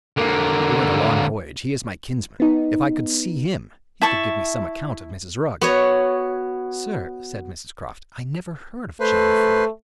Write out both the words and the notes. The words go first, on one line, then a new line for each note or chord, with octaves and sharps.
He went a long voyage; he is my kinsman. If I could see him, he could give me some account of Mrs. Rugg." "Sir," said Mrs. Croft, "I never heard of John Foy.
D3 A#3
B3 D#4
E4 A5 C#6
B3 F#4 C#5
A3 B4 C5